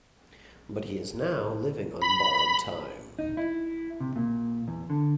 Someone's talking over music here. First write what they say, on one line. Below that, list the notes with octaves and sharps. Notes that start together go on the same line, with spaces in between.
But he is now living on borrowed time.
B5
D#4
E4
C3
A#2
E2
D3